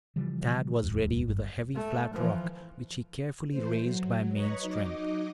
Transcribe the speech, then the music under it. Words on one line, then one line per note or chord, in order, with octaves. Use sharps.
Tad was ready with a heavy, flat rock which he carefully raised by main strength.
C#3 E3 F3 G3
D1 E2 G#2
G1 G2
A3
E3 F3
E3 A3 C5
F#3
B4 C#5 D#5 A#5 B5 C#6
F#3 D#4 D#5 D6